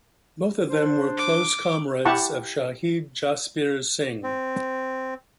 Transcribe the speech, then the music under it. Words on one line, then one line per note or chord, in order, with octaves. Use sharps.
Both of them were close comrades of Shaheed Jasbir Singh.
D4 C5
D6
E4 G4 F#5 A5 C#6
C4